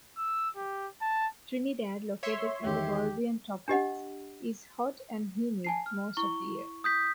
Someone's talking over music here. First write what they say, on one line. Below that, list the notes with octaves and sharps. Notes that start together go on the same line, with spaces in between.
Trinidad, located in the Bolivian tropics, is hot and humid most of the year.
E6
G4
A5
C#5 E5 C6
E2 D#3 G4
D4 G4 D#5 F#5
G#5 A5 C7
F6
E4 C#6 G7
D#6 G6 B6